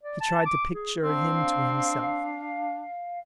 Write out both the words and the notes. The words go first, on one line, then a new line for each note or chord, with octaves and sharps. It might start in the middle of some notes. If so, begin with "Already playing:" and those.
He tried to picture him to himself.
D5
A5
D6
G#4
C4 D4 F5